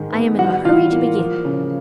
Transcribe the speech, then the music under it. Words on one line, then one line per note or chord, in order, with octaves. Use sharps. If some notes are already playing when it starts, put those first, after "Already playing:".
I am in a hurry to begin.
Already playing: G#2 D#3 G#3
B3
G3 F#4 F#5
E3 F4 F5
A#3
F3
C#3